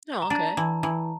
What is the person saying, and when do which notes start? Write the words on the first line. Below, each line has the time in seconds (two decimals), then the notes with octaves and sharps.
Oh, okay.
0.22 A#5
0.30 D4 A5
0.57 E3
0.83 E3